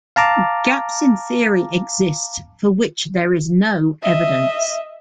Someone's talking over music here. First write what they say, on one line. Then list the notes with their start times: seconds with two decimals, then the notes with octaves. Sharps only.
Gaps in the Theory exist for which there is no evidence.
0.16 F5 A5 A#5 D6
4.03 D#5 E5